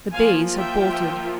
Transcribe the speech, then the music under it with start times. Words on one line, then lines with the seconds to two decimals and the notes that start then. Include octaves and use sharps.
The bays had bolted.
0.13 F3 A#3 F4 F5 G#5
0.57 E5 G5